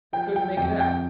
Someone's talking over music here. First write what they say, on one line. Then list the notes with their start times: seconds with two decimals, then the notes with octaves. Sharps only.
I couldn't make it out.
0.13 F3 G5
0.36 G5
0.57 F2 G5
0.80 G5